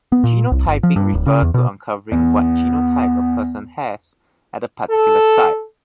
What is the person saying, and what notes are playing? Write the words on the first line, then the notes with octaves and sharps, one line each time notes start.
Genotyping refers to uncovering what genotype a person has at a particular site.
B3
A#2
C2
G1
F3
G2
D1
C#3
E2
B2
E2 B3
A4